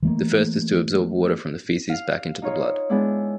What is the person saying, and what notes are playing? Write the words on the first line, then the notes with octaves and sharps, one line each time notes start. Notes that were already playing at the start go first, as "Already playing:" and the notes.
The first is to absorb water from the feces back into the blood.
E3 A3 A#3
F5
D#4 F4 C#5
G#3 B3 D4 E4